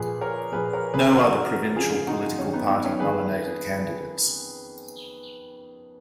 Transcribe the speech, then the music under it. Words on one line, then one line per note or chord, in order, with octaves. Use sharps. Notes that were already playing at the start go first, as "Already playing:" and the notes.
No other provincial political party nominated candidates.
Already playing: A#2 F3 G#4 B4
A#4 C#5
A#2 F3 G#4 B4
A#4 C#5
G#4 B4
F2 D#3 F#4 A#4
F2 C#3 F3 F4 G#4
D#4 F#4
F#2 D#3 C#4
B3 D#4
B3 D#4
C#4
F2 D#3 G#4 B4